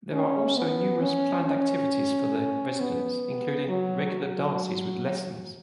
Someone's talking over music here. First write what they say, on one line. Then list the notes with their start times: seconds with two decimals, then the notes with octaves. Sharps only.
There are also numerous planned activities for the residents, including regular dances with lessons.
0.13 C#4
0.57 B3
1.01 C#4
1.46 C#4
2.80 B3
3.68 F#3
4.13 F#3